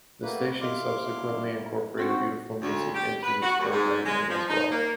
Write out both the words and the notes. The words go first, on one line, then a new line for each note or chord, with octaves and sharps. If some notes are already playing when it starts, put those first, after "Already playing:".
The station subsequently incorporated beautiful music into its programming as well.
D#2 G3 A3 A#3 F#4 B4
F#2 E4 G4 D#5 F5 C6 D6
G#2 C4 D4 D#4 F#4 C5 G5
D2
G4
B4
F#4
D#2
G#2
G#3
F3
D#4
A#3